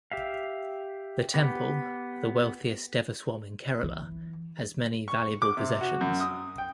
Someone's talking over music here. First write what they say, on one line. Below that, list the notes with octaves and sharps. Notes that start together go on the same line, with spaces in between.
The temple, the wealthiest Devaswom in Kerala, has many valuable possessions.
G4 E5 F5
B3 G4
E3
C#6
D6
C3
F#4
F#2
D#6
G5